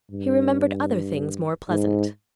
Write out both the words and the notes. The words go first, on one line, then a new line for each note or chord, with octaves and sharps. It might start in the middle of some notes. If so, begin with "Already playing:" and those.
He remembered other things more pleasant.
G2
G#2